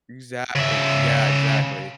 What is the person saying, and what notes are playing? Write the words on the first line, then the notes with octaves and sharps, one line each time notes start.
Exactly, yeah, exactly.
C#3 E5